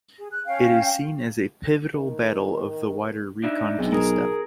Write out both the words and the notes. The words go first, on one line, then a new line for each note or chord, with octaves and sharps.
It is seen as a pivotal battle of the wider "Reconquista".
G#4
F#6
C#4 F5 G5
D#3
D4 D#4 E5
B1 C3 G#3
G#4 A#4